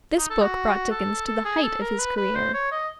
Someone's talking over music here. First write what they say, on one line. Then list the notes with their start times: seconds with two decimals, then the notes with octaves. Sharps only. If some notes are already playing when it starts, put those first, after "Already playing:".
This book brought Dickens to the height of his career.
0.18 D#4
0.30 A4
0.42 F#4
0.90 A4
1.27 A4
1.45 G#4
1.63 A4
1.81 A#4
1.99 B4
2.17 B4
2.35 C5
2.54 C#5
2.72 D#5